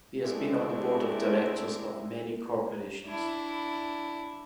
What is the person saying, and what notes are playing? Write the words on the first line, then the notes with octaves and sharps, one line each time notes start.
He has been on the board of directors of many corporations.
C3 G#3 A3 C4 D4 E4
D4 E4